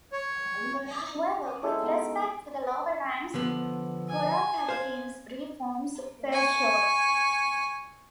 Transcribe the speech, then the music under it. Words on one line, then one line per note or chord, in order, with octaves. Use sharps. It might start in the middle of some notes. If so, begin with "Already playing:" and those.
However, with respect to the lower ranks, Kuropatkin's reforms fell short.
C#5
C#4 D#6
G#3 E4 G4 A4
B3 D#4
D3 F3 B3
G#5
C5 F5
G#5 C#6